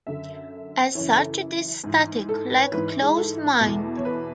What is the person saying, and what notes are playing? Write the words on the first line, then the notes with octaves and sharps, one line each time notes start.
As such it is static, like a closed mind.
F#2 D3 E5
F#2 C#3 E3 C#5
A4
G#2 E3
A4
B4
C#5
G#2 E3 B4
G#4
A4
E2 B2
C#5
B4